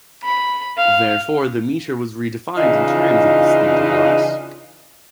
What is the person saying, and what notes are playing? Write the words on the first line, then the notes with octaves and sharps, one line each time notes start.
Therefore, the metre was redefined in terms of the speed of light.
B5
F5
C#3 E3 D4 D#4 F4 D#5